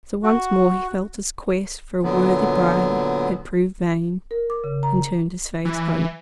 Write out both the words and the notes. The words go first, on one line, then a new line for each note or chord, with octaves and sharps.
So once more he felt his quest for a worthy bride had proved vain, and turned his face homeward.
F#4
A#2 D3 F#3 B3
A#4
D6
C#3
A#5
E3